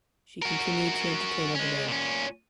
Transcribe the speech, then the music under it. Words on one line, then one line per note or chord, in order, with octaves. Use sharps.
She continued to entertain other men.
F#4 A#4
G#3 C#4
A#2 C#4